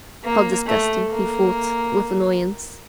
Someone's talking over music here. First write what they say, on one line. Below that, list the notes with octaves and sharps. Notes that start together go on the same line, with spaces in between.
"How disgusting," he thought with annoyance.
A#3
A3
A#3